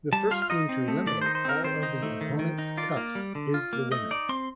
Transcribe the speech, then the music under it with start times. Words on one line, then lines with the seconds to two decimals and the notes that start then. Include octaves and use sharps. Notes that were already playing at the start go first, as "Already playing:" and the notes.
The first team to eliminate all of the opponent's cups is the winner.
0.13 G3 A5
0.31 F4 F5
0.42 F5
0.50 D#4 D#5
0.69 C4
0.88 A3
1.06 D#3 D5
1.22 D#4 C5
1.35 C5
1.45 C4 A#4
1.64 D#3 C5
1.83 D#4
2.02 A3
2.21 D#3
2.39 D#3
2.59 D#4
2.78 F4 D5
2.97 A#3
3.15 G3
3.35 D3
3.54 F4
3.73 A#3
3.91 A3 D#5
4.11 D#4 D5
4.29 C4 C6